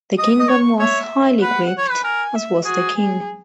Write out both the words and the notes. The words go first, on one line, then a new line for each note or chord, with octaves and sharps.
The kingdom was highly grieved, as was the king.
D#5 D#6
D#5
C#5 C#6
C#5 E5
B4 F#5
C#5
B4
A#4 G#5
E5
F#4 G#4
G#4